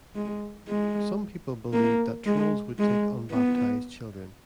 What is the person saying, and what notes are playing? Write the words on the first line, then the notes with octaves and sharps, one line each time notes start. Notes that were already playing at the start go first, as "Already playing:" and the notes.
Some people believed that trolls would take unbaptized children.
G#3
G#3
A#3
G#3
G#3
B3